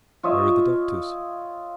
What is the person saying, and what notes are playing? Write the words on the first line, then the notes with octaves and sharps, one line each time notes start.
Where were the doctors?
F4 C#5 D#5 E5